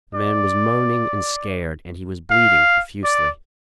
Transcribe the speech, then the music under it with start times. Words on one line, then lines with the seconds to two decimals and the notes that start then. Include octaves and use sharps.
The man was moaning and scared, and he was bleeding profusely.
0.15 D5
2.30 F5
3.04 D5